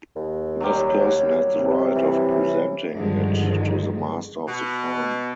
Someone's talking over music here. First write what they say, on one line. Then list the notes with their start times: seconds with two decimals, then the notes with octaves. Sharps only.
This person had the right of presenting it to the master of the farm.
0.16 D#2
0.60 F#3 G3
1.57 C3
1.96 E3
2.93 G2 D3 D#3 F3 G#3
4.46 B2